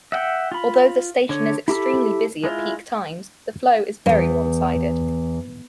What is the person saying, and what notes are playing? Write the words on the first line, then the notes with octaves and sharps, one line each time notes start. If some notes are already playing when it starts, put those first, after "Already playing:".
Although the station is extremely busy at peak times, the flow is very one-sided.
E5 F#5 G5
F4 B5
D3 C#5
E4 G4 A4 B5
G#3 E4 F4
E2 G2